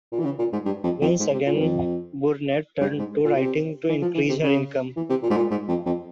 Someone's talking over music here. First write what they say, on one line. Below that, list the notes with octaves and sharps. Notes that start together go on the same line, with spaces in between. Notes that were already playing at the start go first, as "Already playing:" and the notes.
Once again Burnett turned to writing to increase her income.
A#2
E3
C#3
A#2
G#2
G2
F2
F2
G#2
C3
A#2
G2
F2
G2
G#2
A#2
C3
E3
F3
E3
C3
C#3
E3
C3
A#2
G#2
A#2
G#2
F2
F2